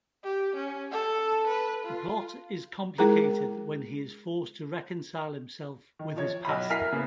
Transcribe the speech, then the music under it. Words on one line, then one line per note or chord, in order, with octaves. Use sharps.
The plot is complicated when he is forced to reconcile himself with his past.
G4
C#4
A4
B4
F4
G#3 E4 G#4 A#4 A#5
D#3
F3 C#5 G#6
B1 D#5 B5
E4 A#4 G#5 F6 B6 C7
C#3 A#3 B3